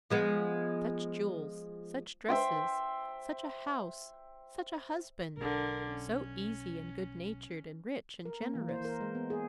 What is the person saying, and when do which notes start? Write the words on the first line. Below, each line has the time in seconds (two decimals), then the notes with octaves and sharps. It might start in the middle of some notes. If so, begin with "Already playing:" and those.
Such jewels! such dresses! such a house! such a husband! so easy and good-natured, and rich and generous!
0.10 F3 G#3 B3
2.29 C5 E5 G5 C6
5.37 B1 D3 A#4
5.89 C#4
8.25 A#4
8.41 A#3
8.55 E3
8.69 C5
8.85 A#4
9.01 G#3
9.15 B3
9.30 G#4